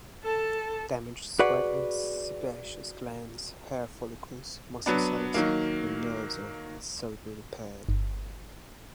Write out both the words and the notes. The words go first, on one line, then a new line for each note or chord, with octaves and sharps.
Damaged sweat and sebaceous glands, hair follicles, muscle cells, and nerves are seldom repaired.
A4 A5
F#4 G#4 B4 D5 F#5
F#3 B3 D4
D#3 F#3 A#3
G1